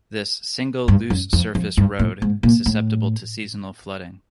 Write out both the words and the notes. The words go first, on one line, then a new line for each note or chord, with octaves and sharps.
This single loose-surface road is susceptible to seasonal flooding.
G2
F#2
F2
F2
G2
A2
G#2
A#2
A2